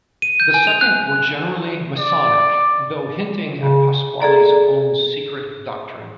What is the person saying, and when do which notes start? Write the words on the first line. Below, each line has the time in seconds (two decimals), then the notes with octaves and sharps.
The second were generally Masonic, though hinting at Pasqually's own secret doctrine.
0.22 D#7
0.40 G6
0.54 G#5
0.67 F7
0.81 F#6
1.98 D5
3.60 C#3
4.20 G#4 A4 D5 A#5